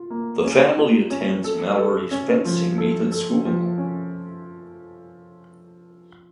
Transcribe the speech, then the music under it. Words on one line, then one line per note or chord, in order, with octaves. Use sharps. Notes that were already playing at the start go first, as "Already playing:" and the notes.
The family attends Mallory's fencing meet at school.
Already playing: F4
A#3
C#4
F4
C#4
A4
A4
C#4
F3
A4
A4
F3
C#4